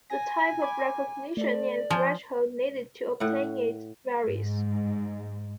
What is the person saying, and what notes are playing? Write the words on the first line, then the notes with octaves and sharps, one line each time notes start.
The type of recognition and threshold needed to obtain it varies.
G#5 A#6
B5 D6 G#6
A3 A4 D5
F3 G#5 A5 G6
A2 F#5
G#2